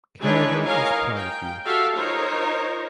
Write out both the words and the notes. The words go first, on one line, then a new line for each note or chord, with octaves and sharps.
Canada is proud of you.
E3 G#3 D4 D#4 B4 C#5
A#4 C#5 D#5 F5 G#5
G5
F#4 G4 A4 E5 F5
D#4 F4 A#4 C5 C#5